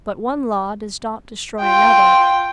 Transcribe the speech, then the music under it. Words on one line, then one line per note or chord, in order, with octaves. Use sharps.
But one law does not destroy another.
F4 G5